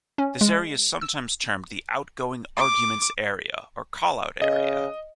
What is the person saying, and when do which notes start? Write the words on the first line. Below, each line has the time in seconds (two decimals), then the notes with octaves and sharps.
This area is sometimes termed the "outgoing arguments area" or "callout area".
0.18 C#4
0.41 G#3
1.01 E6
2.56 D6
4.42 C#3 D#5